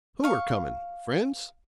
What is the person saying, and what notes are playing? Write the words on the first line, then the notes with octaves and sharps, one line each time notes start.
'Who are coming--friends?'
F5 C#6